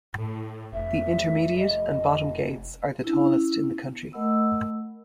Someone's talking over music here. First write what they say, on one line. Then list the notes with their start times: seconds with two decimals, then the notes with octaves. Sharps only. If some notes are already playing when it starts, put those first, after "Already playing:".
The intermediate and bottom gates are the tallest in the country.
0.18 A2
0.72 F1 E5
1.57 D#5
3.04 C#4 D4 E4
3.71 B3
4.13 A3 A#4 D#5 F#5 B5 E6